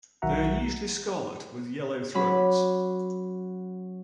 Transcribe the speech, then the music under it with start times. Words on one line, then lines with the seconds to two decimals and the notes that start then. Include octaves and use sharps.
They are usually scarlet with yellow throats.
0.22 B1 D#3 F#4 E5 F#5 A#5
2.14 F#3 C#4 F#4 B5 D6